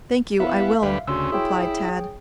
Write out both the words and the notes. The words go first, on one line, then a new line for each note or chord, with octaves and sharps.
"Thank you, I will," replied Tad.
B3 E4 E5 F5
D2 G3 B4
D2 C#3 F#4 C6 E6
E4 G#4 C#5 G5